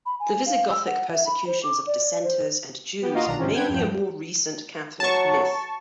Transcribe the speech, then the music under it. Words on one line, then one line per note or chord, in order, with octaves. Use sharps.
The Visigothic persecutions of dissenters and Jews may be a more recent Catholic myth.
B5
G#5
F5
E6
F#5
E5
B5
C5
D6
D5
C5
B3 G4
A#3 F4 F#4 A#4 D#5 F5
B1 D#3 D4 A#5
G#2 C3 D#3 C4 C#4 F4
C4 D4 B4 F#5 G5 G#6
E2 G2 F3 G5
F#3 A5 C#6